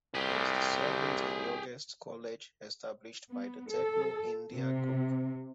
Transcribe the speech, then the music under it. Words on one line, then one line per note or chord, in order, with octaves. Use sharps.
It is the seventh and youngest college established by the "Techno India Group".
C2 G4 G#4
B3
A4
C3